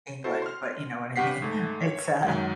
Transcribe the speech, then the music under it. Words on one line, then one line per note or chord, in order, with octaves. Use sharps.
England, but you know what I mean. It's uh
E4 F#4 A4 C5
C6 F6
G2 G4 F#5 B6 C7
G#2 A3
C#5
F#2 D#3 F#3 G#3